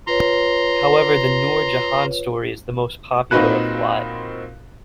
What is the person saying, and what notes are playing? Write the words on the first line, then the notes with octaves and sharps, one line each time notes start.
However, the Noor Jahan story is the most popular of the lot.
F4 B4 C#5 A#5 C6
A#2 C4 D#4 F#4 B4 F#6